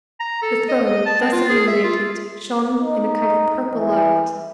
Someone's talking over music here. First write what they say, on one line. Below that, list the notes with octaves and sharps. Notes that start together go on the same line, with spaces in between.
The throne, thus illuminated, shone in a kind of purple light.
A#5
A4
D#5
D#5
A5
C4
F4
G#4
E5
F4
D#4
E3